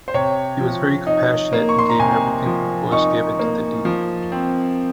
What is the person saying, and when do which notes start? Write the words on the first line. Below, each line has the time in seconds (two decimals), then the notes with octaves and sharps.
He was very compassionate and gave everything he was given to the needy.
0.08 C5
0.14 C3 C#5
0.60 F3
1.07 D#4
1.53 A#3
1.69 C#6
1.79 C6
1.90 A#5
2.00 C3 G#5
2.46 F3
2.92 D#4 C#6
3.39 A#3
3.85 F3
4.32 C4